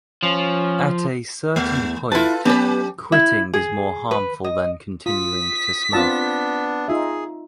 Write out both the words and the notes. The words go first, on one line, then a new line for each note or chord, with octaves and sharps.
At a certain point, quitting is more harmful than continuing to smoke.
F3 C#4
E2 A3
E4 F4 A4 B4 A5
F#3 B3 C#4 G4 B4
E4
G#4
B4
D#5
F4 D#6 B6
B3 C4 D4 F4 A5
D#4 F4 G#4 E5